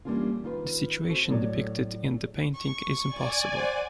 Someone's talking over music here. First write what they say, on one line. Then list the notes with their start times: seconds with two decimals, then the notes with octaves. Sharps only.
The situation depicted in the painting is impossible.
0.05 E3 G3 A#3 C#4 D4 F4
0.44 D#3 F4 B4
1.08 F#4 A4 A#4 C5
1.29 A2 F#3 A4 C#5 D5
2.54 C#6
3.07 D5 G#5
3.55 C5 F#5